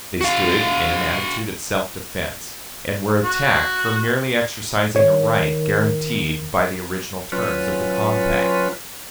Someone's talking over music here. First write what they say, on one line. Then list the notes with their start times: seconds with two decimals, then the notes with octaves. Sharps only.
They stood in an attitude of self-defense, and were attacked for merely exercising a right guaranteed by the original terms of the compact.
0.21 F#4 F5
3.24 F#4
4.96 D#3 C#5
7.32 F#3 C#4 F4 B4